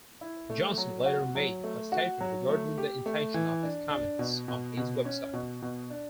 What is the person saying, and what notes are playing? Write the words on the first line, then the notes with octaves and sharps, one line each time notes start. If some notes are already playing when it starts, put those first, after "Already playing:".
Johnson later made a statement regarding the intention of his comments on his website.
E4
A3
F#3
F#4
F#3
A3
F#4
F#3
A3
G4
A3
E3
D4
D4
B2
B2
B2
C#4
B2
B2
D4